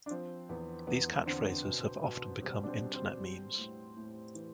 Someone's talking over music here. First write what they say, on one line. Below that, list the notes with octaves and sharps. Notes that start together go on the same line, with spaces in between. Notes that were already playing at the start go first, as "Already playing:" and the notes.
These catchphrases have often become internet memes.
D4
F3 C4
E2 B3
E2 B3
D3 C4
B2
B2
G3 C4
D4
C4
G3
C4
G3
A2
A2
E3